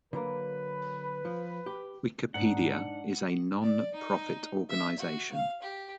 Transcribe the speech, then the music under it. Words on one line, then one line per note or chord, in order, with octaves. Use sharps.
Wikipedia is a non-profit organization.
D3 F#3 A#3 B4
F3
G4
G#2 D4 D#4 F#5
D5
D#4
E5
F#4
F5
G4